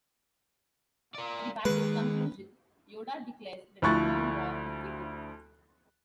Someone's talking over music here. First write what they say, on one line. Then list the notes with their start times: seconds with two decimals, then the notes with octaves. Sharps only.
At the battle's conclusion, Yoda declares that the Clone War has begun.
1.15 A#4 D5
1.65 D#3 G#3 A#3 B4
3.82 D2 F3 E4 C#6 F#6 A6